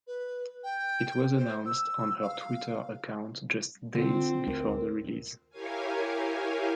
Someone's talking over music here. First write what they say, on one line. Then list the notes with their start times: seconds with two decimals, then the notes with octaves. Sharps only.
It was announced on her Twitter account just days before the release.
0.07 B4
0.64 G5
1.37 C5
1.66 E6
2.22 F5
3.95 D3 C4 F4
4.47 D2 A#4
5.50 E4 G4 A#4 C#5 F5 G#5